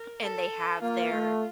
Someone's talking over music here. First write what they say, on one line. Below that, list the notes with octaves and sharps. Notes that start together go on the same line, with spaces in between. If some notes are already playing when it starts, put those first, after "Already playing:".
and they have there
Already playing: A#4
A4
A#3 F4
A3